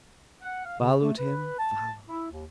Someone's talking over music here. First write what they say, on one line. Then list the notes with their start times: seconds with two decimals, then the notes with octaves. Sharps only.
Followed him, followed.
0.41 F#5
0.64 F5
0.78 C#3
1.02 A3
1.18 B4
1.57 A5
2.06 E4
2.29 D#2